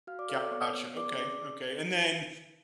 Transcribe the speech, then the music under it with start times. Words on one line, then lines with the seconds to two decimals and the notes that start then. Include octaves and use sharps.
Gotcha, okay, okay, and then
0.07 F#4 F5 F6
0.19 D5 D6
0.29 A4 F5 F6
0.40 D5 D6
0.51 B3 C#5 C#6
0.74 B3
0.96 G#4 D5 D6
1.19 C#4 D5 D6